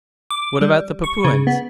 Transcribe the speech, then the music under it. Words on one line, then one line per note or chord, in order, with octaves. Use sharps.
"What about the Papuans?"
D6
G3
C#6
C#3
B3